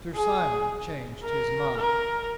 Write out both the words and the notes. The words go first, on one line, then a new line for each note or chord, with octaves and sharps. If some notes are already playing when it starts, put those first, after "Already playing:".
Sir Simon changed his mind.
G#4
A#4
A#4